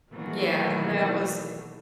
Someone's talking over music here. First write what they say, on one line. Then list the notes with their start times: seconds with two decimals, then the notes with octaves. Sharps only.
Yeah, that was, i
0.12 B2 D#3 E3 F#3 A3 A#3